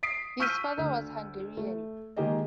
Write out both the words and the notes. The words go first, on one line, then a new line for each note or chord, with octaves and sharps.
His father was Hungarian.
D#6 B6 C7 D7
C#6 E6 F6 G6 B6 D#7
D2
A3
D#3 G#3 A#3 G4 G#4 D#5